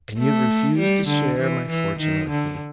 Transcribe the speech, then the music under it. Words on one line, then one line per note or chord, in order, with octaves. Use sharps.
"And you have refused to share my fortune with me."
A3
G3
D3
E3
E3
D#3
D3